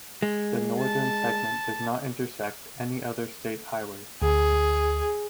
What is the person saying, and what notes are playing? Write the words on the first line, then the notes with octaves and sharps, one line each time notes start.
The northern segment does not intersect any other state highways.
G#3
A5
D2 G#4